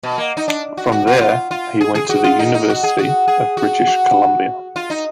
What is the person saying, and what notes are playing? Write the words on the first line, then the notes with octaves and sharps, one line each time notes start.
From there he went to the University of British Columbia.
B2
A#3
D#4
D4
F#4
F#4
F#4
F4
F4
G#4
G#4
F#4
F4
D#4
D#4
F#4
G#4
F#4
G#4
F#4
F#4
F4
D#4